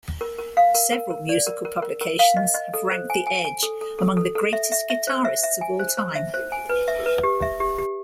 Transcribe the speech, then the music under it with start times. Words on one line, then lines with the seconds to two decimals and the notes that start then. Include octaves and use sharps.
Several music publications have ranked the Edge among the greatest guitarists of all time.
0.21 A#4
0.39 A#4
0.57 F5
0.75 A#4
0.92 A#4
1.10 A#4
1.29 D5
1.47 A#4
1.65 A#4
1.82 A#4
2.01 A#4
2.19 F5
2.37 D#5
2.54 D#5
2.74 A4
2.91 C5
3.10 G#5
3.27 G#5
3.45 G#5
3.63 A4
3.81 A4
3.99 A4
4.17 A4
4.35 A4
4.53 E5
4.72 E5
4.90 E5
5.07 C5
5.25 E5
5.43 E5
5.61 G#5
5.79 C5
5.97 C5
6.15 E5
6.34 C5
6.52 G#5
6.69 B4
6.88 E5
7.06 B4
7.23 G4
7.42 E5
7.60 G4
7.78 G4